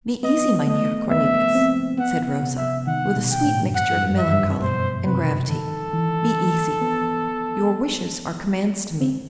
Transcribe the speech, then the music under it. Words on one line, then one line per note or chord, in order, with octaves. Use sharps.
"Be easy, Mynheer Cornelius," said Rosa, with a sweet mixture of melancholy and gravity, "be easy; your wishes are commands to me."
B3 D#5
A3 D#5
B3 E5
C4
B3 F#5
F#5
C3
E5
D#3 F#5
B2
G5
A2
F#2
G2 F#5
G2
F#2
E5
G2
B2 C5
C3 B4
D#3 A4
E3
B3
C4